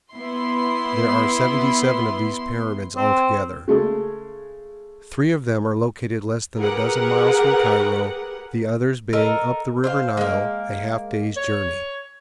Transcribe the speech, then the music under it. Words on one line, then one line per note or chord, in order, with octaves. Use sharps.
There are seventy-seven of these pyramids altogether. Three of them are located less than a dozen miles from Cairo, the others being up the river Nile a half day's journey.
B3 E4 C6
C4
C#3 G#3 A3
G4 G#4 A#4 B4 F#5
A4 A#4 D#5
C5 D#5 F5
G#3 A#3
C#5